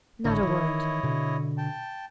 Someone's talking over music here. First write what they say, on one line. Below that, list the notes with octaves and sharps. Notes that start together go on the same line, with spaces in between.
"Not a word."
G#1 A2 D3 E4 C#5 D#5
D#3 E3
B2 D3
G5 A5